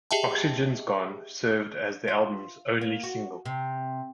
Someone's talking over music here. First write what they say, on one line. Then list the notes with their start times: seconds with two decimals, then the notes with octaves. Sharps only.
"Oxygen's Gone" served as the album's only single.
0.11 G4 G#4 D#5 E5 G5 A5
2.08 F4
2.81 A#3
3.03 F#4
3.45 C3